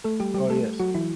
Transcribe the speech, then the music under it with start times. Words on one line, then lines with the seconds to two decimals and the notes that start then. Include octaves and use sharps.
Oh, yes.
0.04 A3 A4
0.20 G3 G4
0.34 G3 G4
0.50 A3 A4
0.80 F#3 F#4
0.94 E3 E4